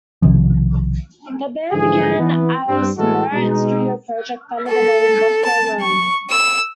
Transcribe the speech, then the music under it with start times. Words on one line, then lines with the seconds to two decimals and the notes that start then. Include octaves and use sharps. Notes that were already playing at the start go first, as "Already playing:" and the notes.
The band began as Merritt's studio project under the name Buffalo Rome.
0.22 B1 C3 D#3 F3
1.72 G#2 D3 E3 F3 G#4
2.18 E3 B3
2.68 G2 G3 C4
2.98 A2 E3 G#3 A3 F#4 A4
3.32 B2 G#3 D#4
4.68 A4
5.44 A5
5.80 C#6
6.30 E6